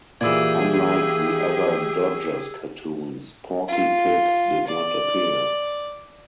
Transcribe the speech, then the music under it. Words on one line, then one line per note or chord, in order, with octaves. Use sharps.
Unlike the other Dodgers cartoons, Porky Pig did not appear.
A#2 E3 G4 G#4 B4 D5 E6 G#6
F4
D5